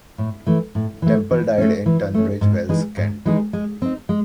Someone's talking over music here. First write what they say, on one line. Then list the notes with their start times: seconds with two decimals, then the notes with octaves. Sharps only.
Temple died in Tunbridge Wells, Kent.
0.18 A2
0.47 E3 A3
0.75 A2
1.02 E3 A3
1.31 E3
1.58 A3 C#4
1.86 E3
2.15 A3 C#4
2.41 G#2
2.69 E3 G#3 D#4 G#4
2.97 G#2
3.25 E3 G#3 D#4 G#4
3.53 G#3
3.82 C4 D#4
4.09 G#3